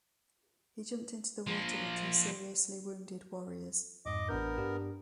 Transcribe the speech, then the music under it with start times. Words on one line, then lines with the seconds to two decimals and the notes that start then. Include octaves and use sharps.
He jumped into the water with two seriously wounded warriors.
1.47 F3 A#3
4.06 F2 G#2 D#5 D6
4.29 A1 B3 D4 A#4 G6
4.58 G2 D4 G4